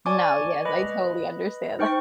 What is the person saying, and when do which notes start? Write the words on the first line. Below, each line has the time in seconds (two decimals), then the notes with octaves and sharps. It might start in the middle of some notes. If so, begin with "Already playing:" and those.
No, yes, I totally understand that.
0.06 D5 G#5 A5 C#6 D6
0.65 B4 D#5 B5
1.79 D#4 C5 G5 C#6